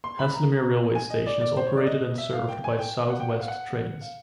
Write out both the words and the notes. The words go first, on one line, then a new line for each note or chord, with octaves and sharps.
Haslemere railway station is operated and served by South West Trains.
C6
B5
A#5
G#5
D#5
D5
D5
C5
C#5
D5
D#5
E5
F5
G5
G#5
G5
F#5
G5
F#5
F5
F#5
F5